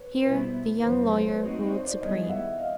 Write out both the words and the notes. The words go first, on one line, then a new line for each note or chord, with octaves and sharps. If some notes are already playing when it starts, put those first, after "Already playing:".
Here the young lawyer ruled supreme.
Already playing: B4 C#5
B4
B2 G3 B3 E4 C5
B4
E2 C#3 F#3 C5
B4
C5
B4 C#5
A3 C4 D#4 F#4
C5 D5
C5 D5
D#3 G3 B3 E4 G#4 C#5 D#5
E5 F#5
D#5 F5